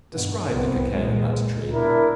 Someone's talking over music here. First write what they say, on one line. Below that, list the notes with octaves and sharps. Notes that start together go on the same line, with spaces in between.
Describe the Cacao-nut Tree.
G2 B2
C2 B3 C4
A#2 G#3
B2 D4 E4 A#4